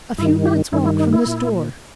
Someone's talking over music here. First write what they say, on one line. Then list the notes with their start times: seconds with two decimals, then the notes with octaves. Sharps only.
"A few minutes' walk from this door."
0.18 G2 D#3 E4
0.45 G4
0.73 G2 D#3 E4
0.86 E4
1.00 D#4
1.13 E4
1.26 A#2